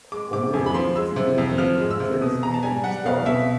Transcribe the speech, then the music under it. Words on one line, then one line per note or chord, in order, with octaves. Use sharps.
Omer feared that the complex game started.
G#3 D6
C3 D6
F2 G#5
B5
F3 C6
G#3 E6
C3
F2
F3 F6
G#3
E6
C3
B2 D#6
B2 A#5
A5
G3 G#5
G3 F#5
B2 F5
B2 E5